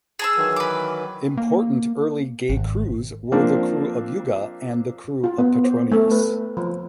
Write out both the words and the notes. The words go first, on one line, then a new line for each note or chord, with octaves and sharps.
Important early gay krewes were the Krewe of Yuga and the Krewe of Petronius.
G#4 A5 E6
D#3 E3 F#3
B4 D6
A#3
G#1
F3 A#3 C4 D4
F4
B3
C5
A3
B4
F3